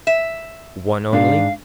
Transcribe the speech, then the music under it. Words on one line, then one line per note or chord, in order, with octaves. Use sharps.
"One only?"
E5
G#2 D4 F5